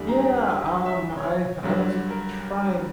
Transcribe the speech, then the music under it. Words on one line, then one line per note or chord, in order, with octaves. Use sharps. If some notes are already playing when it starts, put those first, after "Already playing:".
Yeah, um, I I was trying
Already playing: E2 D3 G3
A#5
G5
F#5
E5
C#5
G2 D3 F#3
A#4